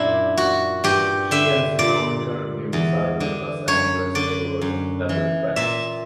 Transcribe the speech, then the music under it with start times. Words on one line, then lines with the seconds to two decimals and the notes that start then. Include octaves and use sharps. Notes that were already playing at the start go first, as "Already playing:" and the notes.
She and Stallone currently reside in the Los Angeles neighborhood of Beverly Crest.
Already playing: F#2 A#2 D4 E4
0.37 F#4
0.84 G2 G4
1.31 D3 E5
1.79 A#2 D5
2.73 E2
3.20 D3
3.68 F#2 C#5
4.15 D3 D5
4.61 F#2
5.09 E3
5.56 A#2 E5